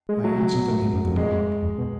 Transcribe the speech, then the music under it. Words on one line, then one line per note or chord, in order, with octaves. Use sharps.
I asked the name of the dog.
G#3
F#3 A3
A3
B2
A2
G#2
F#2
F2
G#3
F2
B2